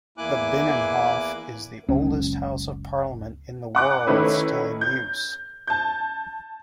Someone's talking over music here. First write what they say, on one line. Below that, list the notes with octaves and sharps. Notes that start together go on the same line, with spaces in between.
The Binnenhof is the oldest House of Parliament in the world still in use.
E2 A#3 E4 G#5 D6 F#6
F#1 C#2 C#4
F#5 D6 F#6
D#3 A3 C#4 E4 B4
G6
A5 G6